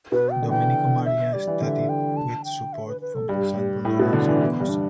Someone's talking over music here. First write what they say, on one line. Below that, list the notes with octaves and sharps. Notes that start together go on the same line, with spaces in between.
Domenico Maria studied with support from his uncle Lorenzo Corsi.
B2 B4
G5
D3
E3 G5
E5
G3 D5
E3
D3 E5
G5
A5
G5
E5
B4
B4
A4
G2 G4
A2 E4
B2
D3 D4
E3
E3 B3
G2
D4